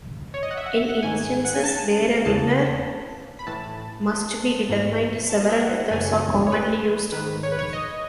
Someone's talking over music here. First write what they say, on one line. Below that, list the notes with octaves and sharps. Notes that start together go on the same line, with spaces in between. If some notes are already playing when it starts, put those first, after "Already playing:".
In instances where a winner must be determined, several methods are commonly used.
C#5
D#5
F#5
E5
F#5
E5
F#5
G#2 D#3 G#5
F#5
G#5
A5
E2 C#3 E3 A5
B5
A2 E3 A5
G#2 E3
A5
D#5
E5
F#5
F#5
F#2 C#3 E3 G#5
C#5
B4
G#2 D#3 B4
C#5
B4
C#5
D#5